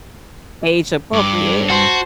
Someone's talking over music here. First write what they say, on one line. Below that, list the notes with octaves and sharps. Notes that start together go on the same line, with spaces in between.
age appropriate."
G2 D6
F#4 C5 A5